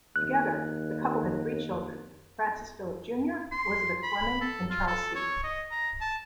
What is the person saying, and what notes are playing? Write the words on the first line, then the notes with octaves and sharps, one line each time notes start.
Together the couple had three children: Francis Philip Junior Elizabeth Fleming, and Charles Seton.
D#2 F#6
C6
B5
A4
F4
A4
C#5
D#5
A#5
A5